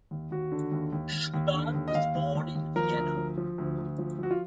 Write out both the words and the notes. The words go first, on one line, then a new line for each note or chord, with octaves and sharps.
Schuba was born in Vienna.
D#2
D#2 F#4
D3
D#2
D#2
D#2
D#2
D3
D#2
D#5
D#2 F5
D#2
D#2
D#2
F3 A#4
D2
F3
F3
D2
D2
F3
F3 F#4
F4